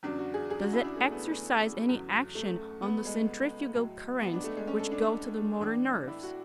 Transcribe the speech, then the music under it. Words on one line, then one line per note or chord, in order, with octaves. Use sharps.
Does it exercise any action on the centrifugal currents which go to the motor nerves?
E2 C#3 F#3 D4
F#4
G#4
G#4
F#4
E4
D4
A3
B3
A3
E2 C#3 F#3
A3
B3
G#3
A2 F#3
B3
D4
A3
G#3
C#4
A4
D4
D4
A2 E3 D4
E4
F#4